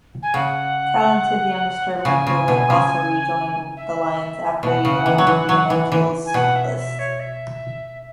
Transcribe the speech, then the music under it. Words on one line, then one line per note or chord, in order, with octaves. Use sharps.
Talented youngster Michael Wood also re-joined the Lions after a year on Fremantle's list.
G#5
C#3 F#5
F#5
C#3 G#5
C#3
B2
C#3
E5
B2 F#5
C#3
E3
F#3
E3
F#3
E3
E3
G#5
B2 F#5
E5
E5
C#5
E5